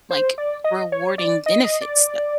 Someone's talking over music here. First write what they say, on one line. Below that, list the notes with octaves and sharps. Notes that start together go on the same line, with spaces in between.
like, rewarding benefits though.
C5
D5
D#5
C#5
D5
D#5
D#5
D5